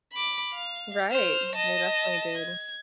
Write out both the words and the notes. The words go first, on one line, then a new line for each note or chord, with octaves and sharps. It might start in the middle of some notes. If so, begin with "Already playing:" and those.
Right. They definitely did.
B5 D6
F5
C5 F6
D#5 A5
G#6